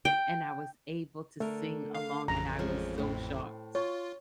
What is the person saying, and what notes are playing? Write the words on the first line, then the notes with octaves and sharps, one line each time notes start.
and I was able to sing along, and I was so shocked.
G5
D3 A3 A4 A#4
F5
A1 F2 A#5
F3 G#3 C#4
A2 C4
F4 C#5